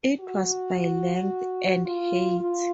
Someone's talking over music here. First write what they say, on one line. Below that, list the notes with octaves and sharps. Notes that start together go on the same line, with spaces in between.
It was by length, and height.
F#4
F4
F4